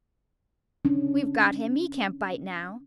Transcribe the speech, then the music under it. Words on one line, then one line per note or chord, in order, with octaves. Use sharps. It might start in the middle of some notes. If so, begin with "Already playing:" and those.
"We've got him; he can't bite now."
C#4 D4